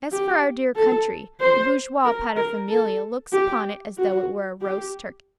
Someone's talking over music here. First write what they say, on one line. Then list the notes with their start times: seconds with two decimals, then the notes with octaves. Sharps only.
As for our dear country, the bourgeois paterfamilias looks upon it as though it were a roast turkey.
0.12 G4
0.76 A4
1.40 C5
2.04 A#4
2.36 A#4
2.69 A4
3.33 G4
3.97 F#4
4.62 G4